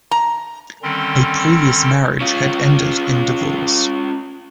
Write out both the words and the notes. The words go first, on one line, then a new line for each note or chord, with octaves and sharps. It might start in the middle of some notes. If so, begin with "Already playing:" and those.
A previous marriage had ended in divorce.
A#5
D3 D#3 G3 C4 C#4 C6
C#4 F4